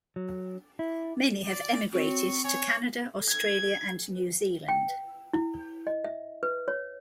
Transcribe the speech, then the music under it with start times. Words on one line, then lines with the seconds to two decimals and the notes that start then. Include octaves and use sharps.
Many have emigrated to Canada, Australia and New Zealand.
0.16 F#3
0.79 E4
1.46 D5
1.93 C4 F#4 C#5 C#6
2.44 C#5 G#5
3.29 G#6
4.68 G5
5.33 E4
5.87 D#5
6.04 E5
6.43 B4
6.68 C#5